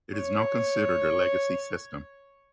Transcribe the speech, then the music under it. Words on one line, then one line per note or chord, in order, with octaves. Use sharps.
It is now considered a legacy system.
C#5